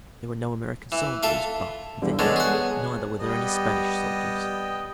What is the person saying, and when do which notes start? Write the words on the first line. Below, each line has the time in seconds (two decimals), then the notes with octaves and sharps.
There were no American soldiers, but, then, neither were there any Spanish soldiers.
0.92 E3
1.23 F4 A4 E5
2.02 E2 G2 D3
2.19 D3 G#3 B3 C#5 A5
2.36 G#4 F#5
3.21 G3 B3 D#5 G5